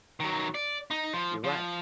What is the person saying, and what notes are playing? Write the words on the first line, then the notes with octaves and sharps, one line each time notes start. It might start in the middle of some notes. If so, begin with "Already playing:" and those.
You're right.
D#3 F#3
D5
D#4
F3
F3